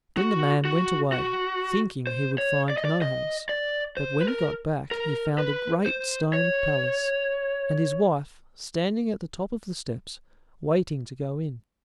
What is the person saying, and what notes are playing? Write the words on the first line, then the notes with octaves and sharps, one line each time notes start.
Then the man went away, thinking he would find no house, but when he got back he found a great stone palace, and his wife standing at the top of the steps, waiting to go in.
F#4
F#4
F#4
C5
C#5
D5
D#5
D5
D#5
D5
C5
B4
A#4
A#4
B4
C5
C#5